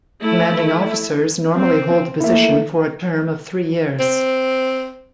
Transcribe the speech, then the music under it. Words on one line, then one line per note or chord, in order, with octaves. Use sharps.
Commanding Officers normally hold the position for a term of three years.
A3 E4
C4
A3 A#3 E4 E5
C4